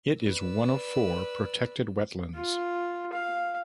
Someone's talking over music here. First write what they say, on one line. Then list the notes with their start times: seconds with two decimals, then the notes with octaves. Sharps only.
It is one of four protected wetlands.
0.21 B4 D5 E6
2.35 F4
3.13 F5